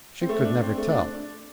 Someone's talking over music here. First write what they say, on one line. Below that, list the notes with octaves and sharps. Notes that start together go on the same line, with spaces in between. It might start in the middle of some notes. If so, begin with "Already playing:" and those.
She could never tell.
C4
A3
D4
C4
A3
D4